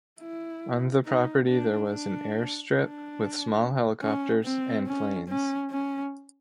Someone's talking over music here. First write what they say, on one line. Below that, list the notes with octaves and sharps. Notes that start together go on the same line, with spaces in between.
On the property there was an airstrip with small helicopters and planes.
E4
D#4
D4
D4
D4
C#4
C4
C#4
C#4
C#4